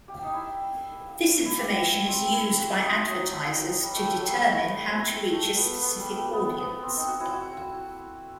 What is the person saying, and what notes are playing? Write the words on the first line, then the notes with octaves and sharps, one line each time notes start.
This information is used by advertisers to determine how to reach a specific audience.
G4
D#4
E4
E4
G4
E4
C4
E4
F#4
D#4
F#3
G3
A3
G3
F#3
G3
A3
B3
B3
G3
A3
B3
B3
C4
D#4
F#4
E4
F#4